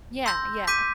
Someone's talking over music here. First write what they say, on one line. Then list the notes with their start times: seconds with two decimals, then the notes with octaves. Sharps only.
Yeah, yeah.
0.26 C6 E6 G6 A#6
0.67 D6 G6 B6 D#7